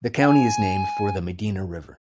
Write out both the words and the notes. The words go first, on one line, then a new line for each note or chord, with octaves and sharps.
The county is named for the Medina River.
G5
G#5